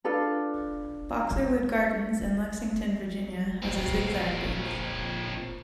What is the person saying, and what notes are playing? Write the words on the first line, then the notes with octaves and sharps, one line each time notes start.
Boxerwood Gardens in Lexington, Virginia has a zig-zag bridge.
D4 F4 A4 B4
A#2 C4